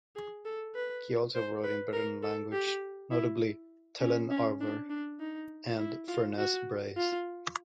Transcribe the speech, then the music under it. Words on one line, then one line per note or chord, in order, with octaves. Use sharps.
He also wrote in the Breton language, notably "Telenn-Arvor" and "Furnez Breiz".
G#4
A4
B4
C5
B4
A#4
A4
G4
E4
C#4
C#4
D4
D4
D#4
E4
F4
F#4
F4